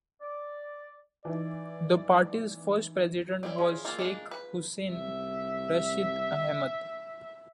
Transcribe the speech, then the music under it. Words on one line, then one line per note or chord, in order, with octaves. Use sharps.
The party's first president was Sheikh Hussain Rasheed Ahmed.
D5
E3 D#4 D5
C4 C#4 E4 D5
F3 G#4
A#3 C4 F4
G#3 A#3 D4
B4
C2 E5